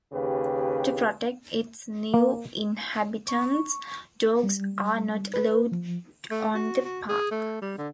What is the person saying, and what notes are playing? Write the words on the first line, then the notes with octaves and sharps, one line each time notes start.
To protect its new inhabitants, dogs are not allowed on the park.
D#2 C#3 G4 B4
A#3
C#6
G3
B4
F3
A3
F#4
F#4
G#4
A3
G3
D3